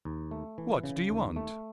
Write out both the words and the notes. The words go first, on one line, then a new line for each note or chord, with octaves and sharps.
"What do you want?"
D#2
A3
E3
C#3
D#2
A3